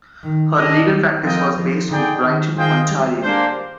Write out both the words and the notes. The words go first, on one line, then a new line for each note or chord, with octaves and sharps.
Her legal practice was based in Brighton, Ontario.
D#3
D#3 D4 G4 A#4 D#5
F3 C4 F4 A#4 D#5 G5
F3
D3 D#4 G#4 D5 G5
D#3
D#3 F4 G#4 C5 D#5 G5
G3
G#3 A#3 D4 G4 C5